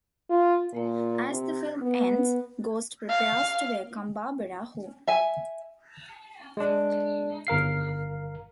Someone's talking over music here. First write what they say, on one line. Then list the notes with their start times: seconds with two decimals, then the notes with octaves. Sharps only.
As the film ends, Ghost prepares to welcome Barbara home.
0.30 F4
0.73 A#2
1.31 C3
1.82 B3
3.09 F5
5.07 E5 G#5
6.57 G#3 D4
7.47 G1 A#4 F5 C7